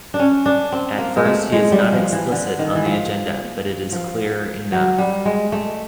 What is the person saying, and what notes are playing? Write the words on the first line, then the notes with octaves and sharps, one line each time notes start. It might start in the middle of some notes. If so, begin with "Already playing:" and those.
At first, he is not explicit on the agenda but it is clear enough.
D4
C#4
D4
C4
A#3
G#3
A3
G#3
G3
F3
E3
D3
D#3
E3
F3
F3
F#3
G3
G#3
A3